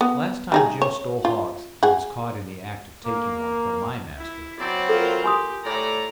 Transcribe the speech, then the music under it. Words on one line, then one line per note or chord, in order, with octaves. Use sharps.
The last time Jim stole hogs he was caught in the act of taking one from my master, Col.
B3
G3 D#4 G#4
C#5
F4
G#4 F#5
A#3
E4
F#3 C4 E4 D5
F4 A4 A#4
G4 G#5 C6 D#6
A2 D5 A#5